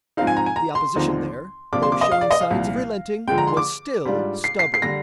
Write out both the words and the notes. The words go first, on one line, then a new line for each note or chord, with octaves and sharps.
The opposition there, though showing signs of relenting, was still stubborn.
G#2 F3 C4 D#4 F5
G#5
A#5
G#5
A#5
C6
D#2 D3 F3 C4 D#4
C3 F3 A#3 D4 F4 D6
C6
D6
D#5
F5
D5
D#5
F5
C2 A#2 F3
D3 F3 G#3 G5
A#5
C6
D6
G#2 G3 D4 F4
C7
C7
C7
D3 G3 A#6